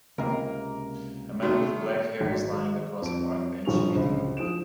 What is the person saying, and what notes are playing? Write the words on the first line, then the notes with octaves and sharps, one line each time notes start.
A man with black hair is lying across a park bench reading a book.
C#2 C3 A#3 A#4
D#3 A3 F#4
G#1 F#3
F2 D7
G1 F3 C#6 F7
C#2 C4
F3 D#6 D7 E7